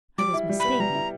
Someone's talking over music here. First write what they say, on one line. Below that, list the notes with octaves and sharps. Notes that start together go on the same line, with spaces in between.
I was mistaken.
G3 D6
E4
G3
B3 B5
G3 A#5
E4